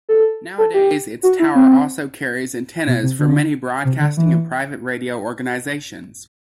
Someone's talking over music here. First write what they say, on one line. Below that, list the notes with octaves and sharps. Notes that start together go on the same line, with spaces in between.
Nowadays its tower also carries antennas for many broadcasting and private radio organisations.
A4
A4
G4
F#4
E4
C4
B2
C3
D3
C3
D3
E3